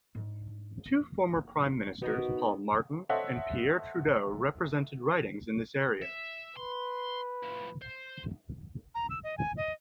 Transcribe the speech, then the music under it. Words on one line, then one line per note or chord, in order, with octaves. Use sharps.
Two former Prime Ministers, Paul Martin and Pierre Trudeau, represented ridings in this area.
G#2 D4
F1 A#3
B3 D#4 F#4 A#4
A4 C5 C#5 D#5 E5 F#5
E5
B4 C6
A2 F3
C5
A#5
E6
D#5
G#5
D#5